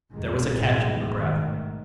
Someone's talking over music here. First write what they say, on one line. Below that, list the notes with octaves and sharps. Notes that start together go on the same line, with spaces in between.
There was a catch in her breath.
F1 C2 G2 D#3 G#3
A1 F#2 B2 D#3 G#3
G#2 D#3 A3